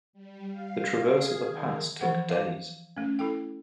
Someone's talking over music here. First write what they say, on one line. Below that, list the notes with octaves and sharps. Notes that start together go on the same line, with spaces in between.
The traverse of the pass took days.
G3
F5
G#4
D#3
E3 F3 F#5
F5 D6
A3 C#4
E4 A4 G5